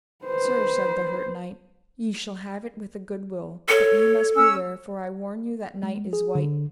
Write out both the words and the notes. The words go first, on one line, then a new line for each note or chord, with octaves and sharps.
Sir, said the hurt knight, ye shall have it with a good will; but ye must beware, for I warn you that knight is wight.
B4 C5
A4 C#5
C#4 E6
G#3
G#4
D3